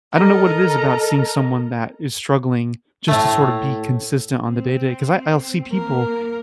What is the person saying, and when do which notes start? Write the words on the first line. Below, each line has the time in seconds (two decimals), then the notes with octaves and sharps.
I don't know what it is about seeing someone that is struggling just to sort of be consistent on the day-to-day. 'Cause I I'll see people,
0.10 A4 A#4 D#5 A#5
3.08 A2 A3
4.48 C4
5.70 A#3 A#4